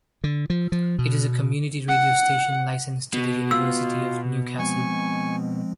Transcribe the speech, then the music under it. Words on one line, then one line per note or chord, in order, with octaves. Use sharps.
It is a community radio station, licensed to the University of Newcastle.
D3
F3
F3
B2
F#5
B2 F#4
F4 E6
F3 G#3 C4 G#5 C#6